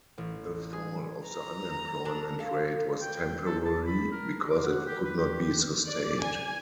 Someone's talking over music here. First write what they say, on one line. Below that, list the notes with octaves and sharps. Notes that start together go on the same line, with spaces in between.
The fall of the unemployment rate was temporary because it could not be sustained.
A1
G#4
A#5
D4
A4 F5
G5
A4
A5
B5
A#4
D6
F#5
G4
B4
G4
D5
G#5